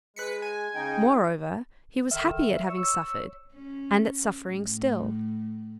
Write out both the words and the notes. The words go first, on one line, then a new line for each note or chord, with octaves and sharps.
Moreover, he was happy at having suffered, and at suffering still.
G#3 B4 B6 C#7
G#5
C#3 D#4 G5
D3 D#3 E5 F6
C#5 E6
C#4
A2